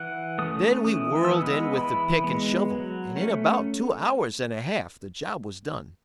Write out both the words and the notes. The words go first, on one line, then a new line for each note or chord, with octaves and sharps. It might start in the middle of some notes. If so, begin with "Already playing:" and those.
Then we whirled in with the pick and shovel, and in about two hours and a half the job was done.
Already playing: E3 F#5
A3 C#4 D#6
E3 D#6
E6
G#3 B3 D#6
E3 B5
G#3 B3
F#3
A3 C#4